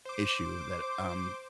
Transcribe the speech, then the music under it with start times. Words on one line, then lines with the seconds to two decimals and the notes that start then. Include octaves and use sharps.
issue that, um
0.05 C5 D6